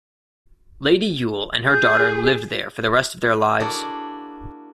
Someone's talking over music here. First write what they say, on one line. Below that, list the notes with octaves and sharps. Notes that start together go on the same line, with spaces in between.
Lady Yule and her daughter lived there for the rest of their lives.
G#4 G6
A#3 D4 E4 F#4 G#4